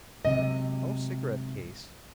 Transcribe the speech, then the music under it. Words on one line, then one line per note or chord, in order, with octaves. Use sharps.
No cigarette case....
G#2 C3 F#3 D#5